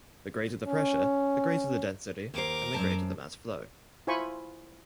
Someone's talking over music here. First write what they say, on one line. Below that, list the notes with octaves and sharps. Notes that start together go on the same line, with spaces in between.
The greater the pressure, the greater the density, and the greater the mass flow.
C#4
D#2 A#4 C5 D6
F#2 C5 A5
E4 F4 C5 G#5 B5 C#6